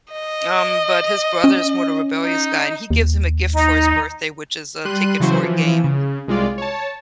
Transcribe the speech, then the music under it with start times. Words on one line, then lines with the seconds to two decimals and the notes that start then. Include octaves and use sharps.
Um, but his brother is more the rebellious guy, and he gives him a gift for his birthday which is a ticket for a game,
0.12 D#5
1.44 C#4
2.24 D#4
2.91 D#2
3.54 D#4
4.85 G3 C6 F#6 D#7
5.20 C#3 E3 F#3 F#4 C5
5.42 E3 F3
5.84 C#3
6.28 C2 G#3 F4 D5
6.58 C#5 A5